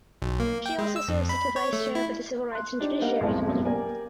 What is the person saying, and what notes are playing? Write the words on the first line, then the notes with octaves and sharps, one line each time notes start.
She also serves as the Vice Chair for the Civil Rights and Judiciary Committee.
B1
A#3
G5
G#3
E6
F2
B5
C#5
A3
E4
C6 F#6
D4 D#4 G4 D5
G3 A#3 D#5 F5 F#5
B1 F2 A2 F3 G#3
F#2 B2
A#3 G4 A#4 D5 G#5